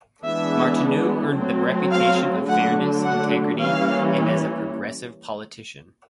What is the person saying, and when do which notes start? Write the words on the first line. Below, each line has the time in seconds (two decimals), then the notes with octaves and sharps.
Martineau earned the reputation of fairness, integrity, and as a progressive politician.
0.24 E3 G#3 B3 D4 E5
1.36 F#3 A3 C4
1.92 F5
2.47 D3 F#3 A3 D4 F#5
3.03 F#5
3.59 E3 G3 A#3 C#4 F5